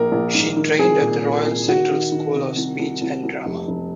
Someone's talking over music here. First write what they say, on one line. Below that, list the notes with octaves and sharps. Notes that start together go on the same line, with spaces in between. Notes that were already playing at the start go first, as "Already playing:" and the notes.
She trained at the Royal Central School of Speech and Drama.
Already playing: A#1 A#4
A#1
G#2
D#3
C2 G#4
A#2
A#2
C2
D#3 F#4
D#3
D#3
C3
C2
C2
C2
C2
F1
F1